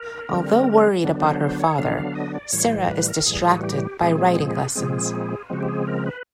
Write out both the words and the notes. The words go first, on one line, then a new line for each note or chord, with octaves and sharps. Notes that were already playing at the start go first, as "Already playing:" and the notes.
Although worried about her father, Sara is distracted by riding lessons.
Already playing: A#4
D3 G3 C4
D3 F#3 B3 D4
C5
C5
C#5
D3 F#3 B3 D4 F5
F5
D#5
D5
A2 E3 G3 C#5
C5
C5
B4
A#4
A2 E3 G3 G#4
F#4
G4
A#2 F3 G#3 C4 G#4
A#2 F3 G#3 C4 G#4
C#3 F3 G#3 C4 F#4
G4
G#4
A#4
B4